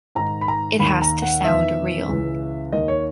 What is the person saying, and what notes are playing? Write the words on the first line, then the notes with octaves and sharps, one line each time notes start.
It has to sound real.
G#2 D#3 A#5
B5
A#5
D#2 D#3 B5
A#5
F#5
E2 D#3 E5
C#2 C#3 E3
D#2 D#3 D#5
C#5